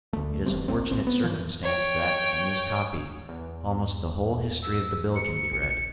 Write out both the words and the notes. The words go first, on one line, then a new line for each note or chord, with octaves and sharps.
It is a fortunate circumstance that, in this copy, almost the whole history of the Bill can be read.
D2 A3
F1 E3 G3 C4
F#1 B1 A#2 C4
A1 C4
B3
G2 E3 F3
C#5 G5
E2
E6
C#7
A#1 A#2 C7